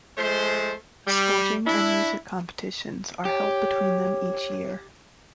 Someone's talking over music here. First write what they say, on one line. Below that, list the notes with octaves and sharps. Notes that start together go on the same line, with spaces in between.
Sporting and music competitions are held between them each year.
F3 G#3 A3 C5
G3
D4 E4
G4 C#5